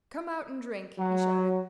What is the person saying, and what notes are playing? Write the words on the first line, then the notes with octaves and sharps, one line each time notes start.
"Come out and drink," he shouted.
F#3